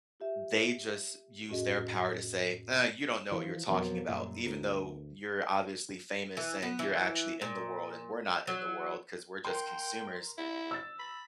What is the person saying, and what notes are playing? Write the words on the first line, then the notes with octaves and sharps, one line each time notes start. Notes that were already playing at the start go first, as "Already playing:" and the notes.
they just use their power to say, "Ah, you don't know what you're talking about. Even though you're obviously famous and you're actually in the world and we're not in the world, 'cause we're just consumers,
F4 G4 E5
F2 A2 C#4 F#4 G#4 D#5
E3 F3
F2 B2 F3 F#3 A#3
F#2 A#2 G3
D2 A#4
E3
B3
E3
A#2
F#3
A#4 G5 C6
E4
E6 A6
B5